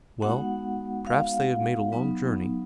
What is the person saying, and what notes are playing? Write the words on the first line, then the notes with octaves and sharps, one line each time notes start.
Well, perhaps they have made a long journey.
G#3 B3 D#4 F#4 F#5
F5
F#3 B3 D#4